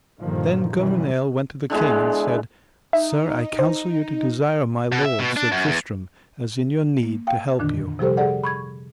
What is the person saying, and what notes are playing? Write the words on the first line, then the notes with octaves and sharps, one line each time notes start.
Then Gouvernail went to the king and said: Sir, I counsel you to desire my lord, Sir Tristram, as in your need to help you.
G2 A#2 D3 D#3 F3
F#2 B2 D#3 E3 F#3 G3
D3 E3 G#3 B3
D#4 E5
C5
B2
E5
B2
D4
F#2
E2
A#3
F5 G5
F2 A#2 D3 D#3 D4
C3 F3 G3 G4 A4 C5
G#4 A4 D5 F#5
B5 C#6 G#6